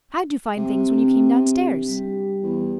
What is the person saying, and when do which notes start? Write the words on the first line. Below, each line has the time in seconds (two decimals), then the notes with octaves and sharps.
How'd you find things when you came downstairs?
0.57 C3
0.89 C4 D4
1.88 G3 G4
2.43 E2